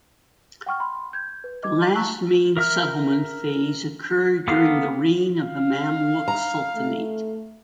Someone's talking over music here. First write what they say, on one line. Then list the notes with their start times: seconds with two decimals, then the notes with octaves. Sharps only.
The last main settlement phase occurred during the reign of the Mamluk Sultanate.
0.66 F#5 G5 C#6 F6
0.80 B5 C6
1.13 G6 G#6
1.44 B4
1.63 D#5 D6 G#6
1.95 A5 A#5 C#6 E6 F#6
2.57 A#4 E5 F6
4.48 A#3 B3 A4 F5 C6
5.39 F5
6.28 A#5
6.76 A3